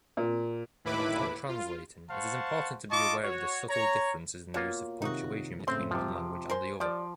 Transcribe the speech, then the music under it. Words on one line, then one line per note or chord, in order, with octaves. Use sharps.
While translating, it is important to be aware of the subtle differences in the use of punctuation between one language and the other.
A#2
D#2 A2 E4 B4 B5 D6
F4
C5 F5 F#5 A5 C#6
F4 D#5 A5 C#6 D6
F#4 C#5
C#5 A#5
B2 A#3 F4 C#5
C3 D#3 D#4 F#4 D#6
A2 C#3 C4 C6
F2 C3 F3 D6
A#4 C5 G#5 C6
F3 G4 D5 D6